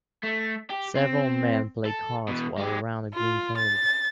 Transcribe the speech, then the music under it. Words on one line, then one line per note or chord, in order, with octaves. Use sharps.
Several men play cards while around a green table.
A3
G4
C4
A4
B2 E3
G#3 G4
F4
A6